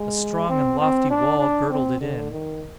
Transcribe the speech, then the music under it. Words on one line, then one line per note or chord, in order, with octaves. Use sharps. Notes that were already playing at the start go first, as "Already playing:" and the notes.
A strong and lofty wall girdled it in.
Already playing: G#3
C4
C4
D4
D4
C4
D3
D#3